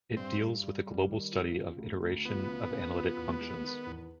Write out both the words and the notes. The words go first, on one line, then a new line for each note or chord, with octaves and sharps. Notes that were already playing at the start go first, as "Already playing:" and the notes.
It deals with a global study of iteration of analytic functions.
G2 C4
G3
G3
G3
D#3
F3
C#3
D2
D2
F3 B3
C#3
C#3
F3
E2
G#3
D#3
E2